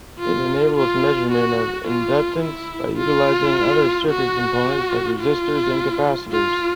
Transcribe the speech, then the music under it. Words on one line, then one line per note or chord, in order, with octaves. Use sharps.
It enables measurement of inductance by utilizing other circuit components like resistors and capacitors.
F4
F4
F#4
F4
E4
F4
F#4
F4
F4